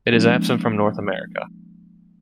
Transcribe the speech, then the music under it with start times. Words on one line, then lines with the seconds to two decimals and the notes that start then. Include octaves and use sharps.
It is absent from North America.
0.12 F3 G#3 A#3 C#4 D#4